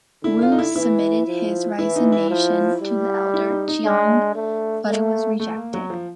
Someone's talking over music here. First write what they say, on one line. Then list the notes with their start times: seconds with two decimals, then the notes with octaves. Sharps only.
Wu submitted his resignation to the elder Chiang but it was rejected.
0.24 D3 E4
0.42 F4
0.52 D#4
0.59 E4
0.76 E3 E4
1.26 F3
1.79 E3 E4
1.96 D#4
2.12 E4
2.30 F3
2.81 G3
3.34 E4
3.50 D#4
3.68 D#4
3.84 G#3 D4
4.35 A3
4.87 A3 A#3
5.40 A3
5.56 A#3
5.74 F#3
5.90 F3